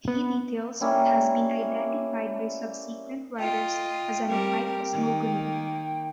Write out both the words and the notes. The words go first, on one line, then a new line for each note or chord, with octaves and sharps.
He details what has been identified by subsequent writers as an Ophite cosmogony.
B3
G3 A#3 C#4 E4
F4 D#5 G5
G3 C4 A#4
D#3 A#3